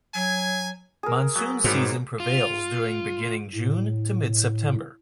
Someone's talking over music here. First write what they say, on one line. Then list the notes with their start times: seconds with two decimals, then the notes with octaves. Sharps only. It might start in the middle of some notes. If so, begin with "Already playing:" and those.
Monsoon season prevails during beginning-June to mid-September.
0.14 F#3 G#5
1.03 G#4 A#4
1.36 F#3 B3
1.64 G#2 F#3 G3 B3 C4 A#5
2.20 F4
3.55 A2